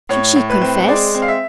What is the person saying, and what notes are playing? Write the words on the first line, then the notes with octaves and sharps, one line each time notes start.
Should she confess?
A2 C#5
A2
B4
C4
G#3 D5
C4
F5
E5